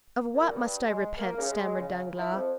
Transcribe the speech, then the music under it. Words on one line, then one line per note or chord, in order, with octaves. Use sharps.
"Of what must I repent?" stammered Danglars.
A#2
G2
G#3
A#3
C#3
G#3
C#3
E4
F2